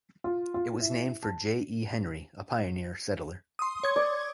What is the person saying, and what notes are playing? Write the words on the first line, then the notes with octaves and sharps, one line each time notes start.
It was named for J. E. Henry, a pioneer settler.
F4
F4
E4
A5
C6 D#6
C#5 G#6
D5